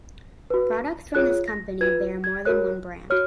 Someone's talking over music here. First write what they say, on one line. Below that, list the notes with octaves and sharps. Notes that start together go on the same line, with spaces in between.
Products from this company bear more than one brand.
F#4 B4
F4 G#4 C#5 F#6
A#6
F4 B4 G#6
G#6
F#4 A#4 C#5 F#6
F#4 C#5 F6